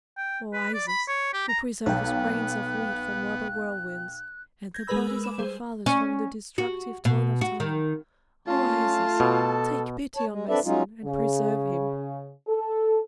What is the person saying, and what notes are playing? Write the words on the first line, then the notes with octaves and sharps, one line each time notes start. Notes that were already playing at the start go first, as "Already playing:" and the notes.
O Isis, who preservest grains of wheat from robber whirlwinds, and the bodies of our fathers from the destructive toil of time, O Isis, take pity on my son and preserve him!
G5
B4
D5
B5
C#5
G4
A#5
B1 B3 F5 G5 F#6
G6 G#6 A#6
G#3 G#4 A#4 B4 B5 E6
D6 E7
G3 G#4 C5
C#4
F#4
B2
F#4
D#3
A3 C#4 F4 A5
B2 A4
C#5 A5
G#3
C4 D4 A4 B4 D5 E5
F#3 G#3 C#4 D#4 F4
C#3
A4